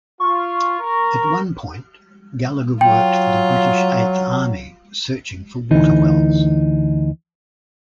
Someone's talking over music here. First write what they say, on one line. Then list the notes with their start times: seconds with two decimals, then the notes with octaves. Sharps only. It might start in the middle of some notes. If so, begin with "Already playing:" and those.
At one point, Gallagher worked for the British Eighth Army searching for water wells.
0.20 F4 C#6
0.79 A#4
2.81 F#3 F4 G5
5.71 D2 E3 D#4